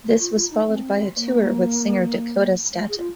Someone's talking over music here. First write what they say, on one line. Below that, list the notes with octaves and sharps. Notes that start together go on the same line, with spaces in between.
This was followed by a tour with singer Dakota Staton.
F4
F4
D#4
C4
A#3
G#4
F4